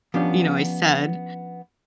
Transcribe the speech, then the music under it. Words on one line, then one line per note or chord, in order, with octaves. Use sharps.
you know, I said"
F3 B3 C#4 D4 G4